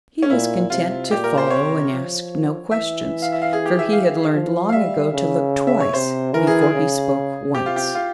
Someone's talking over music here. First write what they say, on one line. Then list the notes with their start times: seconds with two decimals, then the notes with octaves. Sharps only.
He was content to follow and ask no questions, for he had learned long ago to look twice before he spoke once.
0.23 C#4
0.30 A#2 E4
0.70 C3 F4
1.11 A#2 G4
1.24 A#4
1.38 C5
1.50 C3 C#5
1.92 F3
2.71 E3 E5
3.22 F5
3.32 E5
3.42 F5
3.53 G#4
3.66 G4
3.79 E5
3.92 F5
4.33 F3
4.69 F5
4.72 G3 E5
5.13 C#3
5.67 E5
5.80 C#5
5.93 C3 C5
6.34 E3 A#4
6.47 G#4
6.61 G#4
6.74 C#3
7.55 C3 G4
7.66 F4
7.76 G4
7.95 F4